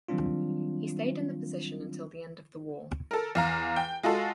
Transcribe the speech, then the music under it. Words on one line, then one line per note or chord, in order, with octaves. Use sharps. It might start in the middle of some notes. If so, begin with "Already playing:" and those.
He stayed in the position until the end of the war.
D#3 F#3 G3 C4 D4 F4
A4 A#4
E2 F5 A#5
G5
G#3 F4 F#4 A4